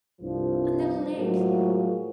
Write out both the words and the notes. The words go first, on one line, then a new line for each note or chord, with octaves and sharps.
And the legs!...
C2 G2 F3
A2 F3 F#3 G#3 A#3 F#4